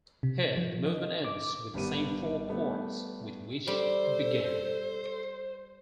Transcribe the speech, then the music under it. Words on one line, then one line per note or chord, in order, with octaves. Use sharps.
Here, the movement ends with the same four chords with which it began.
C3
F3
D#5
D6
G#1 G3 B3 D#7
G3 A3 B3
G3 A4 C5